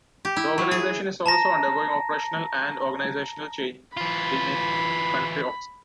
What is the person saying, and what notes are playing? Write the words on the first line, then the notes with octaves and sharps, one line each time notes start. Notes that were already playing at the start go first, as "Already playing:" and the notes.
The organization is also undergoing operational and organizational change in its country offices.
G4
E4
F#3
G#4
A5 A#5 A#6
E3 F4 B5